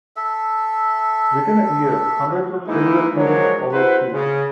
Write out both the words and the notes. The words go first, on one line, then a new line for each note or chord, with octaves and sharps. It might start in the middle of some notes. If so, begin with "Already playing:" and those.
Within a year, hundreds of similar events followed suit.
A4 E5
E3 G#3 A#3 D#4 E4
F3 F#3 G#3 D4 A#4 C#5
E4 F#4 B4 C5
C#3